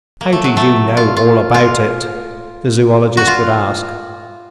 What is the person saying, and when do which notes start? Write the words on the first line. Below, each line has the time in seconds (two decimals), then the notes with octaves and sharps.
"How do you know all about it?" the zoologist would ask.
0.21 A#3
0.33 A3
0.44 F#3
0.57 A3
0.97 F4
1.16 F4
1.54 F4
3.17 F#4
3.27 F4